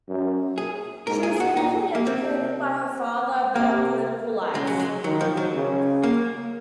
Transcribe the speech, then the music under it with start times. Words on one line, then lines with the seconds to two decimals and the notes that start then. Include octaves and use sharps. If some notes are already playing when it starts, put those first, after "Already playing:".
She was carefully educated by her father about political life.
0.08 F#2
0.58 G#4
1.07 G#2 A#4
1.23 G#4
1.36 G#4
1.40 F#4
1.57 A#2 D#4
1.95 A#3
2.06 C3 C4
3.55 C3 A#3
4.55 C#3 G#3
4.67 F#3
4.79 G#3
5.04 D#3 F#3
5.21 F3
5.37 F#3
5.54 C#3
6.03 A#3